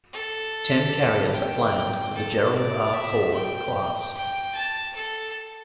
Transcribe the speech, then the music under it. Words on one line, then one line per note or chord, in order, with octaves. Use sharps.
Ten carriers are planned for the "Gerald R. Ford" class.
A4
G5
A4
D5
E5
G5
G5
A5
A4